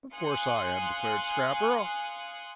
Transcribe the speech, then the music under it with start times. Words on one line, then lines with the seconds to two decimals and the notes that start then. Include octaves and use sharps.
"Of course I am," declared Scrapper.
0.15 F5 G#5 C6 D#6 F#6 C#7